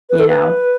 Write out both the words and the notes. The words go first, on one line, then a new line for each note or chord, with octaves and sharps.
You know?
B4
A4
B4